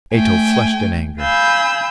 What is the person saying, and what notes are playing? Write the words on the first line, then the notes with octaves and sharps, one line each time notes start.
Ato flushed in anger.
A3 G5 G#5
F5 G#5 B5 E6 G6